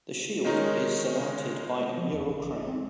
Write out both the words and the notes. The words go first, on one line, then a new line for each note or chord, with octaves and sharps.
The shield is surmounted by a mural crown.
D#3 G#3 C#4 D#4 A#4
F3
E2
A1
A1
C4